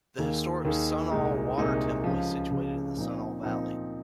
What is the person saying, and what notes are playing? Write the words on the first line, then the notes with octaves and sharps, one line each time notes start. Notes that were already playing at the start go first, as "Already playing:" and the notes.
The historic Sunol Water Temple is situated in the Sunol Valley.
D#2 D#3 A#3 D#4 G#4
D#2 D#3 A#3 D#4 G#4
C2 A#2 G#3 D#4
C2 A#2 G#3 D#4
C#2 C#3 F3
C#2 C#3 F3
A#2 F3 C4 D#4
A#2 F3 C4 D#4